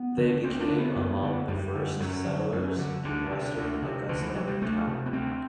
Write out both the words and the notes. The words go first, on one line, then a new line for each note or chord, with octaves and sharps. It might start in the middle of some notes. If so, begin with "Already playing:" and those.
They became among the first settlers in western Augusta County.
Already playing: B3
D3
D2 C4
D4
D3
B3
F#2
D3
F#2 G3
D3
F#2 F#3
D3
F#2
D3
D2 D3
C3
D2
C3
D2 D3
E3
C3 F#3
G3
D2 A3
C3
B3
D2 C4